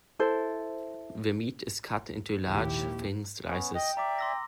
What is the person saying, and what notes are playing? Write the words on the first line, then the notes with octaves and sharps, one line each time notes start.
The meat is cut into large, thin slices.
E4 A4 C5
A#1 D#2 G#2 E4 G4
B3 C#4
D#5 G5
D5 E5 A#5 D6
C6 E6 A#6